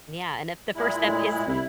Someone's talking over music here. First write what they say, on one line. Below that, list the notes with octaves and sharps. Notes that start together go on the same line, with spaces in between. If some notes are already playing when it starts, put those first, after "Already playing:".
Yeah, and if the first step is
A#2 G#3 E4
A2
C2 E4